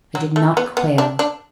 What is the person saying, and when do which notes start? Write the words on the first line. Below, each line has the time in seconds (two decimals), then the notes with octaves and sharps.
I did not quail.
0.15 F#3
0.36 A3
0.57 B3
0.77 B3
0.98 D4
1.19 D4